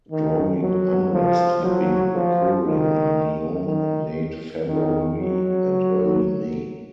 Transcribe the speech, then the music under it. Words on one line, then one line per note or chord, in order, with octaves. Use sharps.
Growing unrest had been occurring in Lyon in late February and early May.
D#3
F#3
F3
F#3
F3
D#3
D#3
D#3
F#3